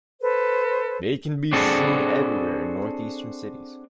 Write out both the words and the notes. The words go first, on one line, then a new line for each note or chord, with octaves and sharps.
They can be seen everywhere in northeastern cities.
A4 B4 C5
C4 D4 F#4 G#4 A4